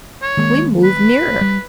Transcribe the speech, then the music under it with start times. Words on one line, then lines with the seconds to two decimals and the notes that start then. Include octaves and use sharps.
We moved nearer.
0.22 C#5
0.37 D#3 G#3 A#3
0.83 B4
1.41 G3